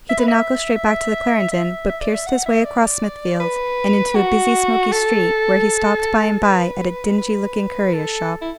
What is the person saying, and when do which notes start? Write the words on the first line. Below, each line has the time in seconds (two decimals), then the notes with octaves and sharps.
He did not go straight back to the Clarendon, but pierced his way across Smithfield, and into a busy smoky street, where he stopped by-and-by at a dingy-looking currier's shop.
0.09 E5
0.19 B4
0.28 E5
0.75 E5
1.52 E5
1.89 E5
2.01 D5
2.14 E5
2.26 F#5
2.46 E5
2.64 D5
3.40 B4
4.16 F#4
4.92 A4
6.43 B4
7.18 B4
7.94 A4
8.42 E4